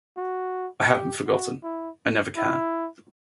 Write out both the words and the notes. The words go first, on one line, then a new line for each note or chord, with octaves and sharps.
I haven't forgotten, I never can.
F#4
G4
F#4
E4
E4